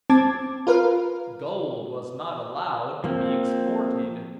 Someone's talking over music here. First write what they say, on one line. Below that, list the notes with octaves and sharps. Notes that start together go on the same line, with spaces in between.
Gold was not allowed to be exported.
C4 A5 D6 G#6
F4 A#4 B4 F5
F3 A#3 C4